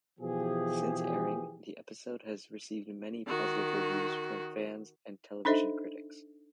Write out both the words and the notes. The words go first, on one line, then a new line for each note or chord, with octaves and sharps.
Since airing, the episode has received many positive reviews from fans and television critics.
B2 E3 F3 G4 G#4
D#3 F#4
D4 D#4 A4 C5 D#5 E5